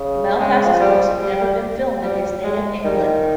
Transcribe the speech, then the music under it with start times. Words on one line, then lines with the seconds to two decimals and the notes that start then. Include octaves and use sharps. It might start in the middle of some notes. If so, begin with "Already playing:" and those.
Malpass's books have never been filmed in his native England.
Already playing: C#3
0.38 C#3 G#3
0.65 F3
0.80 G3
1.20 G3
2.03 G3
2.44 G#3
2.84 D#3 G3